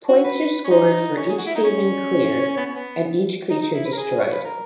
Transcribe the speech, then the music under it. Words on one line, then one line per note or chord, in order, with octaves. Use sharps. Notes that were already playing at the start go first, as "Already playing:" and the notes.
Points are scored for each cave-in cleared and each creature destroyed.
F#4
B4
C#4
D#4
C#4
G#4
F#4
E4
D#4
C#4
B3
C#4
B3
D#4
D#4
E4
B4
A#4
G#4
C#5
B4
A#4